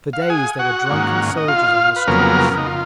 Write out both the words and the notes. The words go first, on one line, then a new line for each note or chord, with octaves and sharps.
For days there were drunken soldiers on the streets....
F5
F#5
G#4 G#5
F#4 F#5
G#2 D#3 A#3 C#4
D#5
F4 F5
B4
F2 C#3 F#3 A#3 B3 A#4
D#4
F4